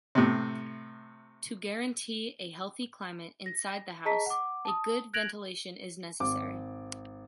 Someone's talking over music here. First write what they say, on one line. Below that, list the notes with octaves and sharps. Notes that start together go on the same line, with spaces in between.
To guarantee a healthy climate inside the house, a good ventilation is necessary.
A2 C3
A#6
G#4 D#5 A5 A#5 B6
F#5 D6
A5 D#6
F#6 G#6 A#6 D7 F7 F#7
G#1 D6